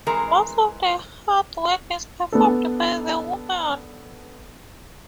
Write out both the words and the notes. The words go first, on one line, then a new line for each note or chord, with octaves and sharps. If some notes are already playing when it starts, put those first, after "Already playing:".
Most of the hard work is performed by the women.
E3 G#3 C4 A#4 A#5
B3 D4 A4